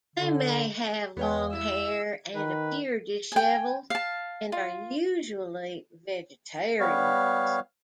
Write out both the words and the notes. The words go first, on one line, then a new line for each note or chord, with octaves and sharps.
They may have long hair and appear disheveled, and are usually vegetarians.
D3
E2 G#3 B3 C#5 F5 G5
E4 E6
D#3 B4
G5 G#5
F5 A5
F4
G3 B3 C#5 F5